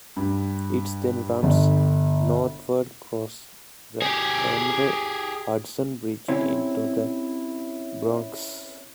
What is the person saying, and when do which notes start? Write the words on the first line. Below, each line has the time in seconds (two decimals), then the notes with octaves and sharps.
It then runs northward across the Henry Hudson Bridge into the Bronx.
0.17 G2
1.43 G1
4.02 G4 G#4
6.28 C3 C4 C#4 E4